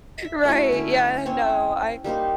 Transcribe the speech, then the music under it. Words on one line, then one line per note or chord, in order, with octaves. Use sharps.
Right, Yeah, no, I
E5
A3 E4 F#4
D3 C#4 E4
C4 C#4 C#5 G#5
G3 A#3 D#4 C5